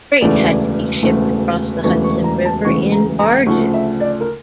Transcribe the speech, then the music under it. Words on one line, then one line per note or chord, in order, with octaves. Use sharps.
Freight had to be shipped across the Hudson River in barges.
E1 D2 C#3 E3 A3 D5
E1 D2 C#3 E3 A3
E1 D2 C#3 E3 A3 C#6
C#6
A#5
A5
E1 D2 C#3 E3 A3 C#6
A#5
A#5
D2 C#3 F3 A3 C#6
E5
D5
A#4